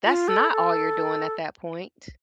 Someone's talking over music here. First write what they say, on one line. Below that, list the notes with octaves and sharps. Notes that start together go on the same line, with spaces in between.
That's not all you're doing at that point.
F4
A4
A4